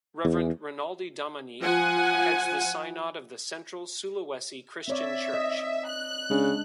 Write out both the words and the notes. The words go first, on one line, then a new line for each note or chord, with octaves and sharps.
Reverend Renaldy Damanik heads the synod of the Central Sulawesi Christian Church.
E2
F3 F#5 G#5
C4 C#5 D5 E5
D#5
F#6
C#3 G#3 D4